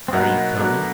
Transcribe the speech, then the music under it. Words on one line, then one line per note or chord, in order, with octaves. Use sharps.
"Are you coming?"
C4
B2 F#3 A#3 B3 D#4 F#4
B2 F#3 A3 D4